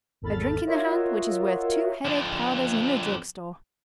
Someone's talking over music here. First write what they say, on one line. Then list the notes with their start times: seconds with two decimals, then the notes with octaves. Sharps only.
A drink in the hand which is worth two headache powders in the drugstore.
0.22 G#1 E2 A4 B5 F6 A6
0.66 F4 F#4 A#4 C#5 D#5 E5
2.05 F2 D3